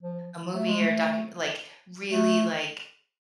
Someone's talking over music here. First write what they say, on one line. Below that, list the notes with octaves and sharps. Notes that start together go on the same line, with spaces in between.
a movie or a docum like really, like,
F3
A3
G#3
A3
A3